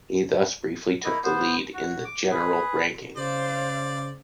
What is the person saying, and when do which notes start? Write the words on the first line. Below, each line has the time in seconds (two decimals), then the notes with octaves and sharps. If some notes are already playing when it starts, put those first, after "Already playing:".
He thus briefly took the lead in the general ranking.
1.04 A#3 D#4 E4 D#5
1.24 B3 C5
1.74 F#4
2.05 D6
2.31 G#4 B4
3.17 C#3 C5 D5 F5